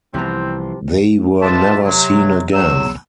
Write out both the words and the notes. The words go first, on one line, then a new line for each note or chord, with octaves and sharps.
They were never seen again.
C2 C3 E3 F3 B3 C4 A#5
D4 F4 B4 C5 E5 A5
C3 F#3
E2 F#3 E6